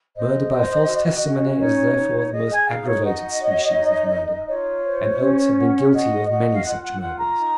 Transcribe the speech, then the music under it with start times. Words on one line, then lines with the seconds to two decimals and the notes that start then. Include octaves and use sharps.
Murder by false testimony is therefore the most aggravated species of murder; and Oates had been guilty of many such murders.
0.15 C5 D#5
0.52 C5
0.87 F#4
1.23 C#4
1.59 D#4 C#5
1.96 D#4
2.32 G#4 D#5
2.51 G#5
2.67 D#4 F5
2.86 C#5
3.03 F#4 D#5
3.39 C#5
3.76 D#4
4.11 D#4
4.48 F4 C#5
4.84 C5
5.20 C#4
5.56 F#4
5.92 F#4 D#5
6.28 F#4 D#5
6.52 F5
6.64 F4 F#5
6.82 F#5
7.00 F4 F#5
7.18 A#5
7.37 D#4